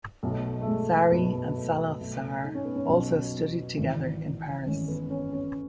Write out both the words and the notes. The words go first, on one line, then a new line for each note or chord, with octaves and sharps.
Sary and Saloth Sar also studied together in Paris.
B1 B2 A3
A3
G#3
B1 B2 B3
A3
B1 B2 A3
D#4
C#4
B3
C#4
B1 B2
G#1 G#2 E3
G#1 G#2 E3 C#4
B3
C#4
C#4